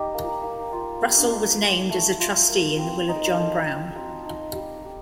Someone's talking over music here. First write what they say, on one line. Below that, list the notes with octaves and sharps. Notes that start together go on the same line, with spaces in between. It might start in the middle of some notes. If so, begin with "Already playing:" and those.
Russell was named as a trustee in the will of John Brown.
Already playing: G3 D#4 G4
A#3
A#3
F4
G3
D4
F4
A3
F4
A#4
C4
D#4
A4
C4
C4
D#4
G3
G4